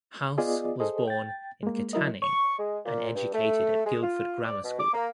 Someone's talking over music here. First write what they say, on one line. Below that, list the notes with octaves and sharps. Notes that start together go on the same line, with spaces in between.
House was born in Katanning and educated at Guildford Grammar School.
B3 F4 G#4 D5 D#5
G#4 A4 C5 D#5
G5 A6
G#3 A#3
F#3 E4 A#4 D#5
C#6
G#3
A#2
G2
A3
G#3
F4
D5
B2
D6
A#3